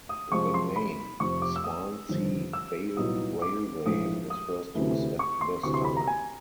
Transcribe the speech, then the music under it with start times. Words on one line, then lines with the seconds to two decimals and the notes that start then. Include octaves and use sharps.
The name "Swansea Vale Railway" was first used at this time.
0.09 D#6
0.31 F2 C3 F3 G#3 C#6
0.54 C6
0.76 B5
1.20 F1 F2 C3 C#6
1.42 D6
1.56 E6
1.64 D#6
2.09 G1 F2 C3 D#3
2.53 E6
2.97 C2 A#2 F#3 B3 D#4 D#6
3.42 D6
3.86 A#1 G#2 E3 G#3 D#6
4.30 D#6
4.74 D2 C3 E3 A3
5.19 C#6
5.41 C6
5.63 D2 C3 E3 C#6
5.74 C6
5.85 B5
5.97 A#5
6.07 G#5